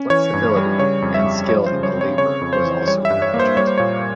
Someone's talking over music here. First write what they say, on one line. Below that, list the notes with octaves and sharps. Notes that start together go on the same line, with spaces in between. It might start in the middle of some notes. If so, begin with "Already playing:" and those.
Flexibility and skill in the labor was also important.
Already playing: C#4
E3 C#5
G2
G3
C#3 C#5
F2
E5
G3
F3 C#5
C5
C#3
C#5
C4
C#5
C#3 C#5
F2
C5
E3
G3 C#5
E5
G2
C#5
A#3
C5
G3 C#5
C5
A#2 C#5